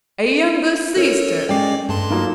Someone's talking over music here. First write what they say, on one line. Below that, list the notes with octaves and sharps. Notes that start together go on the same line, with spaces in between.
A younger sister!
C#4 A4 A#4 C#5
G#3 C#4 D5 D#5 G5 D6 C7
G2 A3 A5 C6
F#3 A#3 D#4 F4